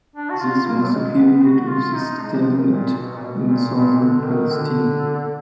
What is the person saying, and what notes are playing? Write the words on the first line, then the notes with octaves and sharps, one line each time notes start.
This was the period of the Stalemate in Southern Palestine.
D4
F#4
F4
A#3
F#3
G#3
B3
F#4
F4
D#4
G#3
F3
D#3
A#2
B2
A#2
B2
A#2
A#2
D3
D#3
D3